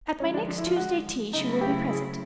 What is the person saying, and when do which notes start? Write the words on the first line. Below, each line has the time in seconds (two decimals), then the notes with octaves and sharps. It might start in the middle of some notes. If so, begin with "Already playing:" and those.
At my next Tuesday tea she will be present.
0.20 D3 F3 G#3 C#4
0.34 D4
0.48 D4
0.58 E4
0.67 F4
0.76 F#4
1.33 C#3 F#3 A3 C4 D#4 E4
1.61 G4
1.89 G#4